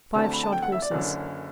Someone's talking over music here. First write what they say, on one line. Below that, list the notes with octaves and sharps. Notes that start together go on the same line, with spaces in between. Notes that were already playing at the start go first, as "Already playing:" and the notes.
Five shod horses.
D2 D3 A3 C4
A5
B5
A5
G5
F#5
E5
D5
F#1 F#2 D3